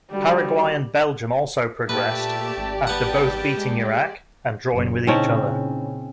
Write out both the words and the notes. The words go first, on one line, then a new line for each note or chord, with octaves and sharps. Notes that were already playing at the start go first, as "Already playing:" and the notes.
Paraguay and Belgium also progressed after both beating Iraq and drawing with each other.
D3 D#3 G3 F#4
A#2 A3 G4 B4 D5 E5 A5
G#1
G3 B3 F#5 G5 A5
G#3
F#1
A#2 C#3 C4 C#4 D#4 E4 D#5